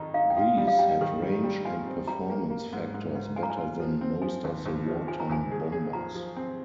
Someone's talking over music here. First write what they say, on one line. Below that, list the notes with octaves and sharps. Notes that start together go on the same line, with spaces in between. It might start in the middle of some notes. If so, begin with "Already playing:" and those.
These had range and performance factors better than most of the wartime bombers.
Already playing: F2 D#3 D#4
D#4 F5
G5
F4 F5
G3
F5
G3 G5
D#3
G3
G3
F4 G#5
C4
G3 A#5
A#3
A#3
G#2
G#2
G#2
F4 G#5
A#5
G#5
F4
F3
C4
F3 G#5
D#2
D#2
F3
F3 G#5
A#5
D#2 G#5
G#4
G#4
F3 A#5
F3
C4